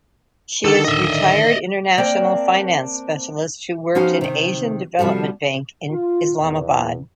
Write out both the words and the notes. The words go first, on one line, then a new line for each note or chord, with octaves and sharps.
She is retired international finance specialist who worked in Asian Development Bank in Islamabad.
D3 D#3 A4
D#5 E5
A#3 C4 D4 D5
F3 B3 C#4 D#4 F#4 F5
C3 D#3
C3 F3 G3 F#4 A4
F4
E2